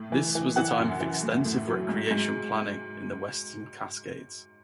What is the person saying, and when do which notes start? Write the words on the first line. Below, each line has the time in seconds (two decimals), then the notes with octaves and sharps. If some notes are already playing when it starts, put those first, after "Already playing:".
This was a time of extensive recreation planning in the western Cascades.
Already playing: A2
0.12 E3
0.35 E3
0.56 E3 F#5 F#6
0.78 F#2
1.00 E3
1.23 A2
1.45 A2
1.67 F#3
1.89 G#2
2.11 G#2